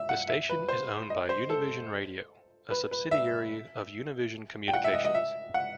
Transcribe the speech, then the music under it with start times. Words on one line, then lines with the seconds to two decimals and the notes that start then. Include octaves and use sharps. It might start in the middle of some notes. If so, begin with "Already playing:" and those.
The station is owned by Univision Radio, a subsidiary of Univision Communications.
Already playing: E5
0.09 F#5
0.29 E5
0.49 B4
0.68 C5
1.10 D#5
1.29 C5
1.50 A4
2.71 B4
2.91 B4
3.11 E5
4.68 G5
4.73 F#5
4.84 E5
4.93 D#5
5.05 D#5
5.15 E5
5.54 F#5